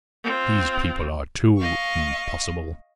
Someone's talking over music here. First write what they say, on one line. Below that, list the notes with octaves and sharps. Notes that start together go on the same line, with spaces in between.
These people are too impossible.
C4 F4
D#5 F5 C#6